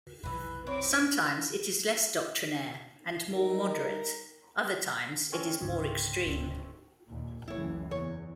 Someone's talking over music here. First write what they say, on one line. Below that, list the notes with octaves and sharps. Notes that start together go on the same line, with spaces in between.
Sometimes it is less doctrinaire and more moderate; other times it is more extreme.
F1 B1 E3 B4
C4 E4 C#5 D6
G3 D#4 A#4
C4 C#4
C#2 G#2 D3
D1 D2 C#3
D#2 A#2
F#1 C#2 E3 E4 C#5
E2 C#5